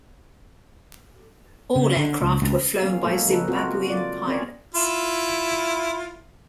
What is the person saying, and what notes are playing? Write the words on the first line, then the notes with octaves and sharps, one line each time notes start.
All aircraft were flown by Zimbabwean pilots.
C#3
D3
C#2
C#2
F3 F#3 A#3 B3 C#4 F5
A#2 G#3 A#3 A4 A#4 C#5
C#3 C#4 D#4 A4 B4
A#3 C4 F4 F#4 A#4 C5
F4 D5
C4 C#4 G#4 A#4 C#5 D5
E4 F4